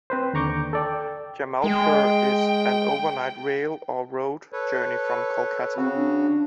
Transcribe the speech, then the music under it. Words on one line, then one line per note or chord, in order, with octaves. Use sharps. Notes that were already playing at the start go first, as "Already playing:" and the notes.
Jamalpur is an overnight rail or road journey from Kolkata.
C4 B4 C5
D#2 D3 A#5 C#6 D6 G6
A4 D5 G5
G#3 G5
A4 B4 C#5
C#3 C4 F#4
D4